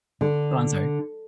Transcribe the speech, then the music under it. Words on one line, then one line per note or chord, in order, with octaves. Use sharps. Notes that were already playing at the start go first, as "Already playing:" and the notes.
Go on, sorry.
D3